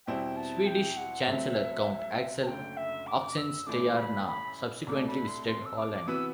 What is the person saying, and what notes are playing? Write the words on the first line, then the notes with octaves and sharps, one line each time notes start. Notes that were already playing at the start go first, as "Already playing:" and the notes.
Swedish chancellor Count Axel Oxenstierna subsequently visited Holland.
E2 B2 G3 C4 E4 G5
A5
G5
F#5
C2 C3 F#3 A3 C4 E5
A5
F#1 F#2 D3 A3 G5
E5
D6
E6
A1 A2 E3 A3 D4 D6
B5
B5
C2 B2 A3 D4 D6
B5
C6
C6
E6
D6
C3 E3 B3 F#4 B4 E6